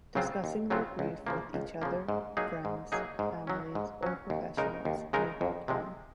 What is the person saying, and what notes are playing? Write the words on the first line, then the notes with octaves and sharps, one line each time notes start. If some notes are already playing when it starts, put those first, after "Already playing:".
Discussing their grief with each other, friends, families, or professionals may help them.
C#3 F#3 C4 F4
D#2
C#3 F#3 C4 F4
C#2
C#3 F3 A#3
C#2
C#3 F3 A#3
G#2
F#3 A#3 D#4 G#4
G#2
F#3 A#3 D#4 G#4
G#2
F#3 C#4
G#2
F#3 C#4
D#2
C#3 G#3 D#4 A#4
D#2
C#3 G#3 D#4 A#4
F2
C3 F3 G#3